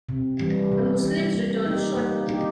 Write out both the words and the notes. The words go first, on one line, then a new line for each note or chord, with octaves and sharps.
The Muslims returned shortly.
C3
E3 G3
C3
E3 G3
A#3
D#4 G4
A#3
D#4 G4